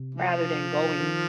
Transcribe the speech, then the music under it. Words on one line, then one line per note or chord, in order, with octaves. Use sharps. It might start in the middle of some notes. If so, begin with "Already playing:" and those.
rather than going
Already playing: C3
F3
D#3